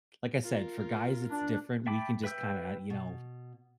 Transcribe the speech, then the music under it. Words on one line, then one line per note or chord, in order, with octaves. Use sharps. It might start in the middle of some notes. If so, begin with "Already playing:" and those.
like I said, for guys it's different. We can just kinda, you know,
F4 A#4
D4
E5 G5 A5 B5 D6
B4 E5 G5 E6 G6
B2